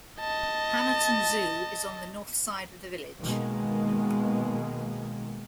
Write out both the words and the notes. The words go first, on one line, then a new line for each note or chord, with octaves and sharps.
Hamerton Zoo is on the north side of the village.
D#5 A5
B2 D#3 G#3 A#3